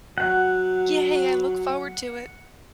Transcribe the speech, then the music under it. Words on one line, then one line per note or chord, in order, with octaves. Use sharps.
Yay. I look forward to it.
F#3 F#5